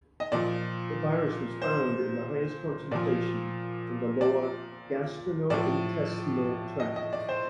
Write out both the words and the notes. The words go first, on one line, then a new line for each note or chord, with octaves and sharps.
The virus was found in the highest concentrations in the lower gastrointestinal tract.
D#5
A#2 F3 D5
C5
A#2 F3 D5
D5
A2 F3 D5
D#5
D#5
D5
C5